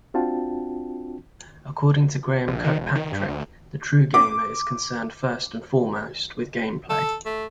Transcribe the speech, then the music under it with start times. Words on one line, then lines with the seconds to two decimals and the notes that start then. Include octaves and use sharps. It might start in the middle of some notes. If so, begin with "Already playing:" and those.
According to Graeme Kirkpatrick, the "true gamer" is concerned first and foremost with gameplay.
0.14 C4 D4 F4 F#4 G5 A5
2.47 A#1
2.64 D#3
2.78 E1
2.95 D#3
3.12 G2
3.28 D2
4.14 D6
6.90 A4
7.25 A3